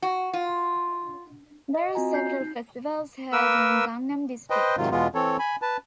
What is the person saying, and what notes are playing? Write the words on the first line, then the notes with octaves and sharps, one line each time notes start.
There are several festivals held in Gangnam District.
F#4
F4
D#5
C4 F4 F#4 D#5 G#5 A#5
G6 C7
D#4
A#3 A#4 B4 E6
B4 C5 D#5 G5
G#2 C3 D#3 F#3 F4
E2 B2 G#3 B3 F4
E3 C4 A4 C#5
G#5 B5
B4 A5